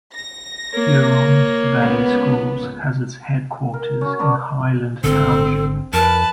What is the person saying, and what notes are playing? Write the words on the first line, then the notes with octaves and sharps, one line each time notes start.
Huron Valley Schools has its headquarters in Highland Township.
A#6
A#3 C#5
C#2 B3
A#4
C#4 F#4
D4 F#4 B4 A#5
G#1 D3 C4 A4
F2 A#4 B4 A5